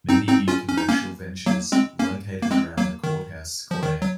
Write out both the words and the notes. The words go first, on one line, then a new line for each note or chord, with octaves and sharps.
Many new commercial ventures located around the Courthouse Square.
C4 D#4
C4 D#4
C#4 F4
C#4
D#4
A#3 C#4
F#3 A#3
G#3 C4
A#3 C#4
A#3
G#3 C4
F#3 A#3
D#3
F3
D#3
F#3